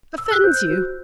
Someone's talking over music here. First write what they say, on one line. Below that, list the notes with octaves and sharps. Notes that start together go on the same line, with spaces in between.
'Offends you!
E6
F#6
C5 G6
F#4